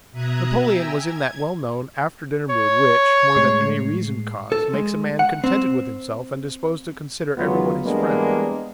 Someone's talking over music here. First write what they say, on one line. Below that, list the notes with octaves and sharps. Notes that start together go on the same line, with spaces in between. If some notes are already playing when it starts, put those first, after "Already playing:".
Napoleon was in that well-known after-dinner mood which, more than any reasoned cause, makes a man contented with himself and disposed to consider everyone his friend.
B2 E5 A#5 D#6 F#6 G#6
E5 G5 G#5 A#5 E6
G#6
C#5
A2 G#3 C7
A4
G#3
F#5
C4
E2 C#3 F#3 G#3 B3 F4
E3 G3 G#3 A#3 B3 D4